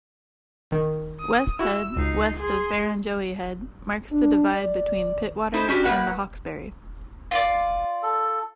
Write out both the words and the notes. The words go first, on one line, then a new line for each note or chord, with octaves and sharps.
West Head, west of Barrenjoey Head, marks the divide between Pittwater and the Hawkesbury.
D#3
D#6
E4 F#4 E6
C#2 D#4 C7
G#4 C6
D4
D5
D#4 E4 C5
C#4 D4 F#4 G4
A2 A#3 B4 F#5
F4 D5
A4